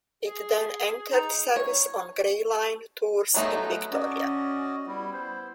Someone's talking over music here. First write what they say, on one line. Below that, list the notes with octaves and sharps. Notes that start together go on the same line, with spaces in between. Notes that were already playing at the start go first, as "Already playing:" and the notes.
It then entered service on Gray Line tours in Victoria.
G#4
D#4
C#5
F#3 G#3 A3 B3 D#4
C#4 F#4 D5 D#5
G3 B3 E4
C5